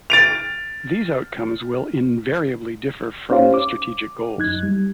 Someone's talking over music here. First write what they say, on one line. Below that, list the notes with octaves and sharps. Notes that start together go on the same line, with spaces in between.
These outcomes will invariably differ from the strategic goals.
A6 D7 F7
C#4 D#4 G4 C5 C#5 F5
D6
F#2 D#4 F#6 G#6
G3